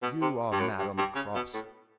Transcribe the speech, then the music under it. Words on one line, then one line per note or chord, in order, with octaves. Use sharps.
You are mad on the cross.
B2
C3
G2
F#2
G2
G2
C#3
B2
A2